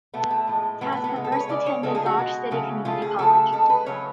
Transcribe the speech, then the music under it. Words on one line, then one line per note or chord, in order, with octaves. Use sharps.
Tasker first attended Dodge City Community College.
B2 A3 B3
A3
A2 F3 G#3
A2 F#3 A3 B3
B3
B3
C#3 G#3
A4
B4
C#5
C#3 G#3 D5
C#5
C#3 F3 G#3 A4
G#4
F#4
B2 G#3
C#3 F#3 A3
C#3 F3 A3 F4
G#4
C#3 F#3 A3 A4
C#3 G#3 A4
B4
C#3 F#3 A3 C#5